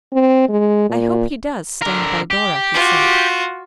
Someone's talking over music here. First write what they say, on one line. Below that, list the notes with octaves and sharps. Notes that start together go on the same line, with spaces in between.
"I hope he does stand by Dora," he said.
C4
G#3
A#2
D3 A#4
G4
F4 F#4